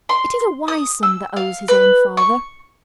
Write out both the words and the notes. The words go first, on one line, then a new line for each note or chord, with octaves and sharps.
It is a wise son that owes his own father.
C6
D#6
E6
F5
B4
C#6